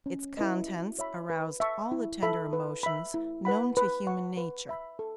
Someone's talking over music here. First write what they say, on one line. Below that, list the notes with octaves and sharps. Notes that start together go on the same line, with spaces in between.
Its contents aroused all the tender emotions known to human nature.
C#4
E4 B4 D#5
F#4
C#5 E5 B5
B4
E5 A5 C#6
E4
A4 E5 B5
B4
E5 B5
E4
B4 F#5 B5
B4
F#5 C#6
B4
E5 B5
A4